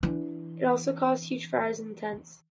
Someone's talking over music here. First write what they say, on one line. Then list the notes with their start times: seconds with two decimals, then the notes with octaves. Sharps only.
It also caused huge fires in the tents.
0.03 E3 D4